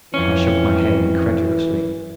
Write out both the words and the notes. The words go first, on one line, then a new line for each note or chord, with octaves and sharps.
I shook my head incredulously.
F2 E3 C#4